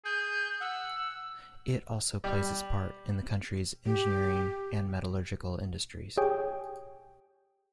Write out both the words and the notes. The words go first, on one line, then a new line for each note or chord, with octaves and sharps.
It also plays its part in the country's engineering and metallurgical industries.
G#4 G6
F#5 E6
G3
G4
G4 G#4 C#5 G5